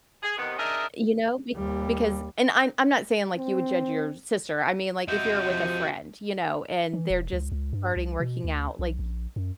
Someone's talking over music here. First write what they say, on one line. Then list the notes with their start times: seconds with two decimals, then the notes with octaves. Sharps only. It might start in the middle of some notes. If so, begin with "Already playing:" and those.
eh, you know? Be because and I'm I'm not saying, like, you would judge your sister, I mean, like, if you're with a friend, you know, and they're just starting working out, like,
0.23 G#4
0.37 C3 D#3 B3
0.58 D4 D#4 G#4 A#4 D#5 E5
1.56 D#2 G3
3.37 C4
5.08 C3 F#4 D#5 E5 G6
5.50 F3 G6
6.93 E3
7.10 E1
7.33 C#2
7.52 C#2
7.73 G2
7.96 C2
8.20 B2
8.44 D2
8.79 B1
8.99 A#1
9.36 F#2